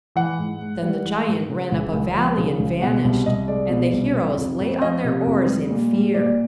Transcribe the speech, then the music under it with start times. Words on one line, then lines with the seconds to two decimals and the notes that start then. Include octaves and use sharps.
Then the giant ran up a valley and vanished; and the heroes lay on their oars in fear.
0.16 E3 F#5
0.38 G#2
0.60 G#2
0.82 G3
1.05 E3
1.27 G#2
1.49 C#3
1.72 C#2
1.93 C#2
2.15 F3
2.37 C#3
2.59 C#2
2.82 B2 F#5
3.04 C2
3.26 C2 D#5
3.48 G#3 D5
3.70 B2
3.93 C2
4.15 C3
4.37 F2
4.60 F2
4.81 F3 D#5
5.04 C3
5.26 F2
5.47 G3
5.71 A#2
5.93 G3
6.14 A#2 D5